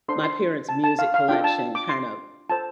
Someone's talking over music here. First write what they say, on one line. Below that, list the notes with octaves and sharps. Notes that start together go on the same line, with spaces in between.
my parents' music collection kinda
D4 A4 C5 C6
C6
A5
A5
F5
F5
D4 F4 A4 G5
A5
D6
C6
F4 A4 C5 A5